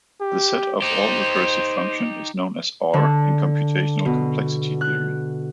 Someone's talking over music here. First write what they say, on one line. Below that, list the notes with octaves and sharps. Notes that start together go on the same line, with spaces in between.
The set of all recursive functions is known as R in computational complexity theory.
G4
D#4 G4 C5
D3
B2
F#6